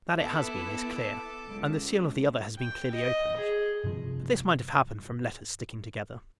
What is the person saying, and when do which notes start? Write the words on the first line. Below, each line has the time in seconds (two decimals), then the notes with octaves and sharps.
That it has been, is clear: and the seal of the other has been clearly opened; but this might have happened from letters sticking together.
0.19 B3 E4 A4 A5 D6
1.49 C#2
2.57 G5
2.91 D#5
3.37 G#4
3.84 G2 C3 F3